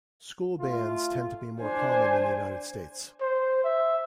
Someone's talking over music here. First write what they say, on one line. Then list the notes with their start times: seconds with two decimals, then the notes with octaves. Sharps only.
School bands tend to be more common in the United States.
0.59 A3 F4
1.62 D4 C5 G#5
3.21 C5
3.64 E5